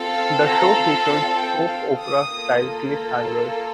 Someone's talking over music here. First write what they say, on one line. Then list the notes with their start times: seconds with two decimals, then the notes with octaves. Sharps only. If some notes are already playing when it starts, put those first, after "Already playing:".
The show featured soap opera-style cliffhangers.
Already playing: C4 F4 A4
0.12 F5
0.44 A#5
1.06 A5
1.37 G5
1.68 F5
1.99 D#6
2.30 A#3 F4 A4